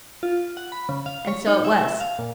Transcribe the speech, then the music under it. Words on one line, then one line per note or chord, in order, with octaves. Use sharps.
And so it was.'
F4
F#5
B5
C#3
F5
C#5
D#4
E5
F5
A#2